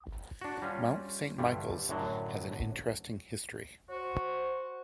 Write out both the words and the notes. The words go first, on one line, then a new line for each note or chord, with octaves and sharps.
Mount Saint Michael's has an interesting history.
D4 F#4
G3 C#4 F4
G2 D3 E3 G3
F#2 A2 D3 F#3
F#4 C5